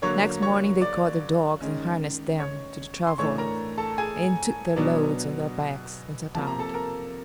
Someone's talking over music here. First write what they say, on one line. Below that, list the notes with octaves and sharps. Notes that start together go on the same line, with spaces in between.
Next morning they caught their dogs and harnessed them to the travois and took their loads on their backs and set out.
D3 F#3 A#3 C#5 C#6
C#5 C#6
D5 D6
D#3 G#3 C#4
C#5 C#6
C6
A2 E3 A3 D4 C#5 C#6
A#4 A#5
A4 A5
G#4 G#5
B2 F#3 B3 D4
C3 F3 A#3 A5
A#5
A4 A5
A#4 A#5